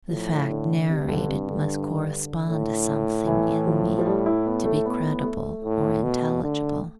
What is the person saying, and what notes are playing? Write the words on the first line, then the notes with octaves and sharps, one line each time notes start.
The fact narrated must correspond to something in me to be credible or intelligible.
A2 F3
D3
G2 C3
D3
C3
D3
A2
E3
F3
F3
G3
E4
B3
A3
B3
B3
A3
A2
B2
D3